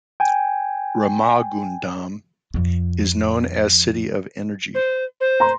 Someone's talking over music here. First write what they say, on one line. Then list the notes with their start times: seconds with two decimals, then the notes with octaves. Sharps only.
Ramagundam is known as city of Energy.
0.20 G5 G#5
2.54 F2 F3
4.75 C5
5.21 C5
5.40 A#5 C6